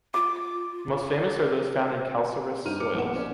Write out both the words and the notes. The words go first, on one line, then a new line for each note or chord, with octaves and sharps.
The most famous are those found in calcareous soils.
F4 D6
G2 D#4 G4 F6 D#7
D6 F6 C#7
A#1 B2 E4 F#5 D6 E7
C#4 C5 D5